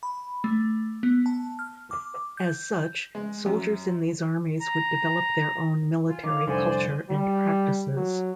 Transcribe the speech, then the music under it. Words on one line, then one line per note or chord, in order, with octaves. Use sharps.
As such, soldiers in these armies would develop their own military culture and practices.
B5
A3
B3
A5
F6
D6
G6
G#3
F#2
A#5
F4 G#5
D#3 C#5 F5 D6
F1 C2 D3 C5 D5 G#5
G3
F#3